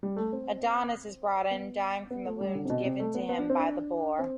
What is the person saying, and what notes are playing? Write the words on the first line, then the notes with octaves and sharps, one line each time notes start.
Adonis is brought in, dying from the wound given to him by the boar.
G3
A3
C4
B3
B3
A3
G3
D3
C3
B2
C3
A3
B3
B3
D4
C4
D4
C4